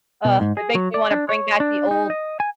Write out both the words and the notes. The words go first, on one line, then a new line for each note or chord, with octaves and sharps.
Uh, it makes me wanna bring back the old
B2
G#2
G#4
F#3
D5
D4
C#5
D4
D#4
D#5
G#5